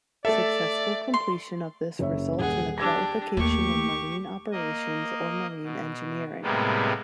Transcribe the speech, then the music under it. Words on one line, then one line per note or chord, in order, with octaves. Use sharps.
Successful completion of this results in a qualification in marine operations or marine engineering.
A3 A4 D5 E5
C6
F#1 C#5 E5
D#1 G#4 F#5
D4 G4 E6 G#6 A#6
D#2 A3 G4 C#6
A#3 D#5
B2
A2 C3 G3 G#3 A#3 B3